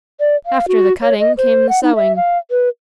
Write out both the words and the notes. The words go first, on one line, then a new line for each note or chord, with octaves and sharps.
After the cutting came the sewing.
D5
F5
F#4
C#5
D#5
C5
F#5
D#4
E5
F5
B4